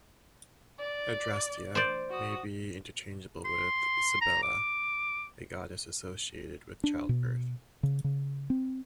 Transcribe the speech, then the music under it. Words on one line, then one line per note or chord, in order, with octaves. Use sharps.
Adrastea may be interchangeable with Cybele a goddess associated with childbirth.
D5
C5 D5
F#4 D#6
C6
A#5
D6
D4
B2
C#3
C#3
C4